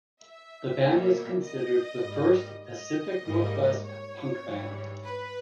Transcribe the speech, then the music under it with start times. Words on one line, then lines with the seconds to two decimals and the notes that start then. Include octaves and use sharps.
The band is considered the first Pacific Northwest punk band.
0.23 E5
0.83 B2 G3 A#3
1.43 D#5
2.03 G#2 G3 A#3
2.64 D#5
3.24 G#2 G3 A#3
3.84 C#5
4.45 G#2 E3 G3
5.05 B4